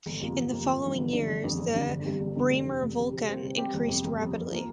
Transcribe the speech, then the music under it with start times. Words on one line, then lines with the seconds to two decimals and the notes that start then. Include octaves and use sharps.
In the following years the Bremer Vulkan increased rapidly.
0.06 G1
0.20 F2 C3 A#3 F4
0.36 G1
0.51 F2 C3 A#3 F4
0.66 G1
0.83 G2 D3 F3 D4
0.98 G1
1.12 G2 D3 F3 D4
1.28 G1
1.44 F2 D3 G3
1.58 G1
1.74 F2 D3 G3
1.89 G1
2.04 G2 D3 G3 C4
2.20 G1
2.35 G2 D3 G3 C4
2.51 F1
2.66 F2 C3
2.82 F1
2.96 F2 C3
3.12 C3
3.27 G3 C4 G4 C5
3.43 C3
3.58 G3 C4 G4 C5
3.74 G1
3.88 F2 C3
4.04 G1
4.19 F2 C3
4.35 F2
4.50 F3 A#3